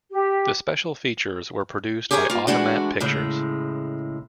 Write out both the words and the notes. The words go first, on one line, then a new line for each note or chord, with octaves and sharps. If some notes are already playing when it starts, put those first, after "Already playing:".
The special features were produced by Automat Pictures.
G4
G4 G#4 A#4 C#5 F#5 G#5
A#3 F4
E3 G#3 A3 D4 F#4
A2 C#3 G#3